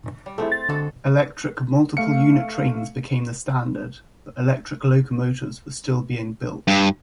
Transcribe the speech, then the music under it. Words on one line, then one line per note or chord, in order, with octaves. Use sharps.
Electric multiple unit trains became the standard, but electric locomotives were still being built.
G3
A3 C4 E4 G#4 A4
C6 A6
D3 G#3 F#4 A4
A3 F5 C#7
G2